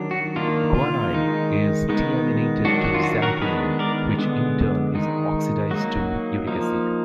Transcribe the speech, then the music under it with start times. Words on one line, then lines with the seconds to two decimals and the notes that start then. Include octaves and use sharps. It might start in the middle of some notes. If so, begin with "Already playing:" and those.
Guanine is deaminated to xanthine which in turn is oxidized to uric acid.
Already playing: D#3 F#3 D4
0.11 F#4
0.36 D#3 A#3 D4 F4
0.75 F4
1.13 D#3 G#3 D#4
1.89 D#3 G#3 B3 D#4
2.65 D#3 F#3 D4 F#4
2.84 F#4
2.94 F4
3.03 F#4
3.22 F#4 A#4
3.42 D#3 G#3 B3 D4 G#4 B4
3.79 A#4 D5
4.18 D3 G#3 B3
4.95 D#3 G#3 D#4
5.71 F#3 A#3 D#4 F#4
6.47 F3 A#3 D#4